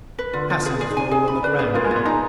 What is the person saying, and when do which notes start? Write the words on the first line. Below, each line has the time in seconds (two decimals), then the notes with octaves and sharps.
The passengers were all on the ground now.
0.19 B4
0.33 D3 F4
0.50 B3 F4
0.65 B3 G#4
0.81 D4 G#4
0.90 D#4
0.97 D4 G#5
1.11 G#4
1.28 B5
1.43 D4 B4
1.59 B3 G#4
1.74 A#3 F4
1.84 G#3
1.91 B3 F4
2.06 D#4 A#5